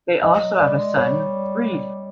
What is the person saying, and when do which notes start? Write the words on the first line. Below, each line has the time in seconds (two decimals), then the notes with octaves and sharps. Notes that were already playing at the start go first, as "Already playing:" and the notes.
They also have a son, Reid.
0.22 F3 D#5
0.41 F#3
0.60 G3 D5
0.79 G#3
0.97 G3 C#5